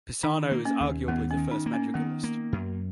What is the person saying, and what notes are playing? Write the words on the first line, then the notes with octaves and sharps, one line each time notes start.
Pisano is arguably the first madrigalist.
D#3 D#4
A#3
C#4
D#2
D#2 B3
C#4
D#3
D#4
A#3
C#4
D#3 B3
A#3
F#2